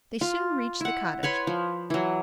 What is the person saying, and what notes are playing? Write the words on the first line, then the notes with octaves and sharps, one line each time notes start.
They soon reached the cottage.
F4
E4 F#5
B4 C#5 B5 C6
F3
E3 F#3